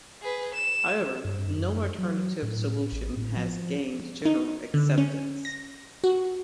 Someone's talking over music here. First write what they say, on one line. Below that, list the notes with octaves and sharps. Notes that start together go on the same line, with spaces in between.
However, no alternative solution has gained general acceptance.
G#4 B4
E7
G2
F#2
F#3
A2
A1
A2
F3
D#4
D3
C#4
A#6
F#4